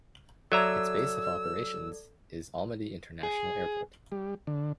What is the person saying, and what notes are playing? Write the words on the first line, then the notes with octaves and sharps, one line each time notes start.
Its base of operations is Almaty International Airport.
F#3 A4 D5 E5 A#5 D6 E6 G#6
G#4
G3
D3